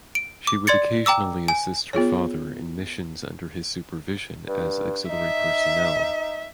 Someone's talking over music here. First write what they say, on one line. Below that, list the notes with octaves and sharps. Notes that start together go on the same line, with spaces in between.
She would occasionally assist her father in missions under his supervision as auxiliary personnel.
D7
D6
D5 C6 G#6 A6 C#7
G5 A#5 D6 E6
G#5
B3 F4 G#4 C#5
G2
D#4 E5